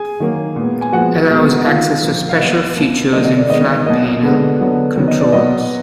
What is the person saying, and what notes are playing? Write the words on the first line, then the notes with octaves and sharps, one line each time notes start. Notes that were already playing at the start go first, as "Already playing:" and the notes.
Allows access to special features in flat panel controllers.
Already playing: G#4 G#5
D#3 F#3 A#3
A#2 G#3 B3
G#5
A#2 F3 G#3 B3 F#4 F#5
B2 G#3 B3
D#3 A#3 F4 F5
A#2 F3 A#3
F5
B2 F#3 B3 D#5
B2 A#3
D3 F#3 A#3 D#5
D#5
D5
D#3 G#3 B3 D#5
B2 F#3 A#3 D#5
D3 G#3 B3
D3 F#3 B3
D#3 F#3 B3
D#5
D5
A#2 F#3 B3 D#5